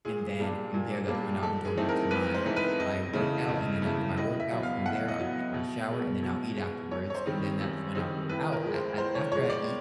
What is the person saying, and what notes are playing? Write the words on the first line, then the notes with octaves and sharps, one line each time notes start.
and then from there, that's when I'll indulge into my my workout, and then I'll do my workout, from there, I'll take my shower, and then I'll eat afterwards, and then that's when I'll go out, a a after I eat
A#2 G#4
G3 A#3 D4
A#2
G3 A#3 D4
G#2 A4
G#4
E3 A3 C4 D#4
A#4
G#2 B4
C5
E3 A3 C4 D#4
B4
F2 D#5
C#3 E3 A3
F2
C#3 E3 A3
A2 D#5
E5
F#3 B3
F5
A2 F#5
D#5
F#3
B3
B2
G#3 B3
B2
G#3 B3
F#2 C#5
C#5
C5
D#3 G3 C4 D#4
F#2
D#3 G3 C4 D#4
A2 B4
A#4
F3 G#3
C5
A2 C5
C#5
F3 G#3 C#5
D5